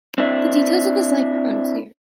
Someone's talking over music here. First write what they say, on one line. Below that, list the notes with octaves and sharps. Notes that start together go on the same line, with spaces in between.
The details of his life are unclear.
C4 D4 E4